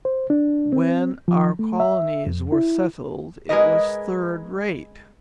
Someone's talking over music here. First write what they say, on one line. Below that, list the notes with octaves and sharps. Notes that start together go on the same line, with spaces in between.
When our colonies were settled it was third-rate.
C5
D4
C4
F3
A3
E5
F2
E4
G#3 G#4 A#4 B4 D#5